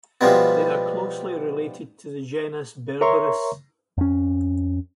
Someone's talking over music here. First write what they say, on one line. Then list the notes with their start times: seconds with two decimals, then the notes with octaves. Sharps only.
They are closely related to the genus "Berberis".
0.21 B2 F3 G3 G#3 B3
3.01 A#4 C#5 E5 A#5 C6 C#6
3.98 F2 C#4